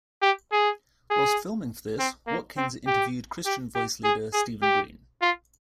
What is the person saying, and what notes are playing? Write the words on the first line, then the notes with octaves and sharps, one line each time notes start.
Whilst filming for this, Watkins interviewed Christian Voice leader Stephen Green.
G4
G#4
G#4
C4
A#3
C4
G4
G4
G4
G#4
G#4
G4
F4